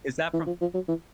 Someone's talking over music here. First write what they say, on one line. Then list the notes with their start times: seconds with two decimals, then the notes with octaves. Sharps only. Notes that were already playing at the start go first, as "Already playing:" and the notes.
Is that from
0.34 E3
0.47 F3
0.61 F3
0.74 F#3
0.88 E3